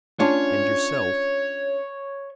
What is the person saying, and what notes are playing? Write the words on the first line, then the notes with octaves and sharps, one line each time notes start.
"And yourself?"
C#4 D4 F4 C#5